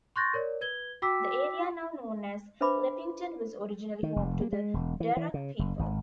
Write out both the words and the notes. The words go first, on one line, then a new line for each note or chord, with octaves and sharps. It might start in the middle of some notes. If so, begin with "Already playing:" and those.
The area now known as Leppington was originally home to the Darug people.
C6 C#6 F#6 G6 A6 A#6
A#4 C#5 D5
B4 G#6 G7
F#4 G5 D6 E6 B6
D4 B4 C5 E5 B5 D6
D#3
F1
A#3
G#3
E1
E3
E3
C#3
F#1
G#1